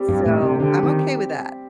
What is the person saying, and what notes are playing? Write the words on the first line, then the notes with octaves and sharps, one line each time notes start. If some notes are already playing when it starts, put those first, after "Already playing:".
So, I'm okay with that.
Already playing: G3 C4 G4
G2
A2
C3
D3 G3 C4 G4
D#3